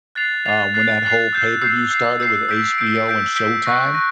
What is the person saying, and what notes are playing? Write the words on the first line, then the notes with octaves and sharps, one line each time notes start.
Um, when that whole pay-per-view started with HBO and Showtime.
F#6 A6 C7 F7
F#6 A6 C7 F7
F#6 A6 C7 F7
F#6 A6 C7 F7
E6 G6 C7
E6 G6 C7
E6 G6 C7
E6 G6 C7
E6 G6 B6 D7
E6 G6 B6 D7
E6 G6 B6 D7
E6 G6 B6 D7
C#6 F#6 A#6
C#6 F#6 A#6